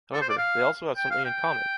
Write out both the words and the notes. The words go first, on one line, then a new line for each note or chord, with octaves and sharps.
However, they also have something in common.
A4
C5
D5
F5
G5
F5
G5